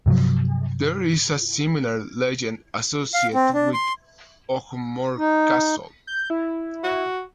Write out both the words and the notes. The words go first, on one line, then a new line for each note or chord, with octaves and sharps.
There is a similar legend associated with Ogmore Castle.
G2 C3 F3 F#3
F5
C4
D4
C6
D#4
G6
E4
F#4